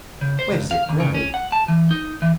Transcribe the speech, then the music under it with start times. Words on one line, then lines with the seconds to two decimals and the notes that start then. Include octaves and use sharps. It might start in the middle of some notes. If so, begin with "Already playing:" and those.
Where does it grow?
0.21 C#3
0.39 C5
0.51 C#2
0.71 F5
0.89 D#2
1.00 C#3
1.14 C#4
1.34 F#5
1.52 A5
1.68 E3
1.91 D#4
2.22 E3